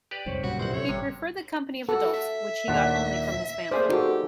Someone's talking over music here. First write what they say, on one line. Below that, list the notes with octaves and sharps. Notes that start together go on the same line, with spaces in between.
He preferred the company of adults, which he got only from his family.
G4 B4 D5
C2 F2 G#2 C5 C#5
A#1 F#2 A#2 C#3 G3 F#4
G1 C2 C5 F#5
C3 A4 C#5 E5
G#1 C3 G3
F#4 A4
E5
D#2 A#2 D4 F#5
A3 A#3 G#4 C5 D5
D#4 F#4 G4 A4